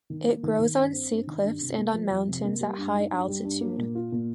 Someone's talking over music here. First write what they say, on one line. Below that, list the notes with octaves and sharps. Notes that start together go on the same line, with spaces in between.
It grows on sea cliffs and on mountains at high altitude.
D#3
A#3
D#3
D#3
G2
C4
G2
D#3
G2
C3
A#3
F3
F2
C3
A#3
G3
G2
D#4
G2
G3
G2
A#3
A#2
F4
A#2